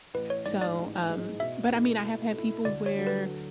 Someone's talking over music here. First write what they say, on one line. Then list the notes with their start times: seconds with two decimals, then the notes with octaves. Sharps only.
so, um but, I mean, I have had people where,
0.14 A1 B4
0.30 C#5
0.46 G#2 G#3 D5
0.61 D5
0.78 A1
1.08 G#2 G#3
1.40 B2 E5
1.71 A3 E4
2.02 B2
2.34 A3 E4
2.65 D2 D5
2.86 C#5
2.96 D3 F#3 A3
3.07 B4